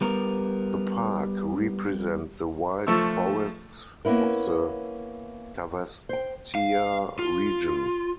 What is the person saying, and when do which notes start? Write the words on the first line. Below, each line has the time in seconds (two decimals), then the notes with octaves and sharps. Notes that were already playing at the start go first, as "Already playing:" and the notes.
The park represents the wild forests of the Tavastia region.
0.01 G3 B3 A#4
2.87 F3 A3 C#6 E6
4.05 A#3 B3 C#4 E4 A#4
6.09 C5 G5
6.55 F5
7.19 F4